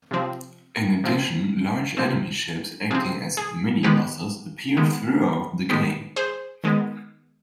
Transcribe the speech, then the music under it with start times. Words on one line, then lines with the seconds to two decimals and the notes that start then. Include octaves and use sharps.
In addition, large enemy ships acting as "mini-bosses" appear throughout the game.
0.11 C3 F3 C4
1.04 C3 F3 C4
1.97 C3 F3 C4
2.90 C3 F3 C4 G#4
3.37 G#4
3.83 D#3 G#3 B3 G4 B4
4.77 D#3 G#3 B3
5.69 D#3 G#3 B3 G4 B4
6.16 G#4 C5
6.64 D#3 G#3 B3